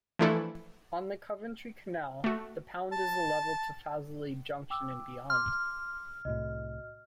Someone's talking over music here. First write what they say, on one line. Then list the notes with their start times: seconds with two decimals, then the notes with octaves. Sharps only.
On the Coventry Canal, the pound is level to Fazeley Junction and beyond.
0.19 E3 F3 A3 D4 E4 A4
2.24 A3 F#4
2.92 A5
4.70 G5 D6 E6
5.30 C6 D6 F6
6.25 C2 A2 F#4 D#5